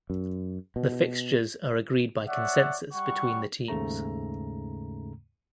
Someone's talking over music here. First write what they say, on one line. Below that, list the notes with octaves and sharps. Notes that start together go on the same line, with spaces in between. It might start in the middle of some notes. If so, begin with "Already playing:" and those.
The fixtures are agreed by consensus between the teams.
F#2
B2
C#5 D5 E5 F#5
G3 F#5 C#6
D#2 G#2 C#3 A3 A#5